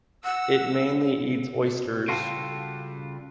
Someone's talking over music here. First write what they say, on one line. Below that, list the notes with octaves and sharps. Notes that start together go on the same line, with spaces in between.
It mainly eats oysters.
F#5 E6
C#3 G3 F4 F#4 A4